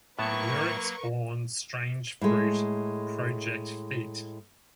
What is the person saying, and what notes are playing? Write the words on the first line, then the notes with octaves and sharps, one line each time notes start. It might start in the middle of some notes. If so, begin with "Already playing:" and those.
Lyrics Born, Strange Fruit Project Feat.
A2 F#3 A#3 B3 A#4 B4 A5 C#6
A2 G#3